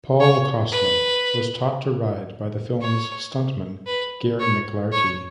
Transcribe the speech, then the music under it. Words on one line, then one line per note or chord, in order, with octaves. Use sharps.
Paul Koslo was taught to ride by the film's stuntman Gary McLarty.
C#5
B4
C#5
B4
C#5
C#5